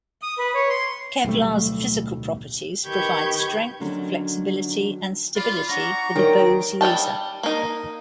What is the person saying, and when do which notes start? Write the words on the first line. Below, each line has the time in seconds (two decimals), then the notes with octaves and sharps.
Kevlar's physical properties provide strength, flexibility, and stability for the bow's user.
0.23 D#6
0.38 B4
0.54 C#5
0.70 C6
1.24 D1 B1 G3 A3
2.86 D#3 G4 B4 C#6 G6 G#6
3.80 F2 D3 D#3 F#3 C#4 D4
5.36 F4 D5 B5
5.69 D4 F#5 A#5 C#6 D6
6.15 D#3 F#3 G3 A#3 G5
6.81 G3 D#5 G5 A5
7.43 A#3 D#4